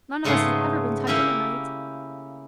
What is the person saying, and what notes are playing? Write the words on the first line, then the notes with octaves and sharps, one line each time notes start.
"None of us has ever been tucked in at night."
G#2 C#3 A3 B3 G#4 C6
A#3 C#4 E4 G4 A#4